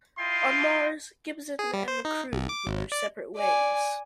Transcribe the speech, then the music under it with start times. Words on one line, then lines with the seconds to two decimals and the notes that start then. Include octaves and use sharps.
On Mars, Gibson and the crew go their separate ways.
0.18 E4 F4 D#5 G5 C6
1.59 G#4
1.73 G3
1.88 C5
2.05 D#4
2.32 C2
2.49 D6
2.67 G#1
2.92 D5
3.36 D5 G#5